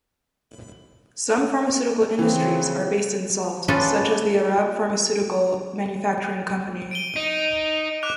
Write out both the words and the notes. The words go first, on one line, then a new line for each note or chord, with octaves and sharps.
Some pharmaceutical industries are based in Salt, such as the Arab Pharmaceutical Manufacturing company.
C#3 E3 C4
C#4 F4 G#4 A4 B4 D5
D7 D#7 G7
D#4
D6 F#6 F7